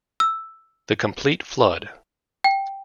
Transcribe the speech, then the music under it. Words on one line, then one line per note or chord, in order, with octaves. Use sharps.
The complete Flood!
E6
G5